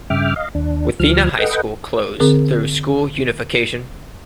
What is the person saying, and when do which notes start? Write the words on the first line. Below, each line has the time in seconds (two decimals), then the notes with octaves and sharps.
Wathena High School closed through school unification.
0.10 G2 C#3 E5 G5 D6 F6
0.36 D#5 F5
0.55 D#2 D4
1.00 D2 F3 F6
1.39 A4 B4 D#5 F#5 G5
2.20 D3 C4 G#4 A#4